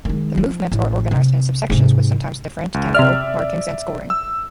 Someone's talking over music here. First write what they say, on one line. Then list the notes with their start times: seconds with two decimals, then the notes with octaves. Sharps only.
The movements are organized in subsections with sometimes different tempo markings and scoring.
0.05 D#3 G#3
0.38 F3
0.72 A1
1.11 C3
1.70 G#2 C3
2.74 C#2
2.94 C3 D5 E5 F6
4.10 E6